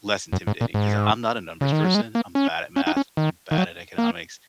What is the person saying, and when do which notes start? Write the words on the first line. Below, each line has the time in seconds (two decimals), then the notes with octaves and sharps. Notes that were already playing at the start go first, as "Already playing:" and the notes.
less intimidating, 'cause I'm not a numbers person, I'm bad at Math, I'm bad at Economics,
0.33 F#2
0.47 G#2
0.61 A#2
0.74 G#2
1.61 C#3
1.72 D#3
1.84 F#3
1.95 G#3
2.15 A#3
2.35 C#4
2.76 C#4
2.87 D#4
2.97 C#4
3.17 D#3
3.51 D#3
3.58 F#3
3.98 A#3